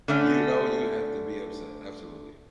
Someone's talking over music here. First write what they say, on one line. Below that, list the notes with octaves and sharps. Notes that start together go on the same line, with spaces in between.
You know, you have to be upset, absolutely.
D3 A3 C#4